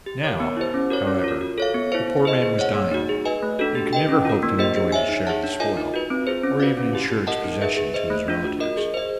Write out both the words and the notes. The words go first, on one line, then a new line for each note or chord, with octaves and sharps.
Now, however, the poor man was dying, and could never hope to enjoy his share of the spoil, or even insure its possession to his relatives.
G4
A#4 C#5
B3
E4 G4 C5
C#4
F#4 A#4 C#5
C#4
F4 A#4
F#4
A4 C#5 F5
B3
E4 A4 C5 F5
E4
G#4 C5 D#5
G#4
C#5 F#5
A#3
D#4 F#4
G#4
B4 D#5 G#5
A3
D4 F#4 A4
G4
B4 D#5 G5
C#4
F4 A#4
A#3
D4 G4 C5 D#5
G#4
C#5 E5 G#5
D#4
G#4 C#5 F#5 A5
D4
F4 A#4 D#5 G#5
D#4
F#4 B4
C4
F4 G#4 C5
C#4
F#4 B4 D5 F5
C#4
E4 G4
G4
A#4 D#5 F#5 A5
D#4
G#4 B4 E5
G#4
C5 D#5
A3
D4 F4
F#4
A#4 D#5
G#4
C5 D#5